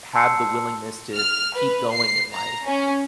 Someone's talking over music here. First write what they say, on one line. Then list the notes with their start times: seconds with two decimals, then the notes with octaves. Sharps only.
have the willingness to keep going in life.
0.13 A5 C6 E6 C7 C#7
1.15 F6
1.55 B4
1.95 C7
2.34 A#5
2.66 C#4